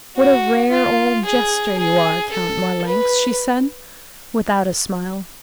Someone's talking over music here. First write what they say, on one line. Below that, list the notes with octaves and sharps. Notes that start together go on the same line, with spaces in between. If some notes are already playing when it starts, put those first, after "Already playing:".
"What a rare old jester you are, Count Marlanx," she said without a smile.
F#4
F4
G#4
G#4
A4
B4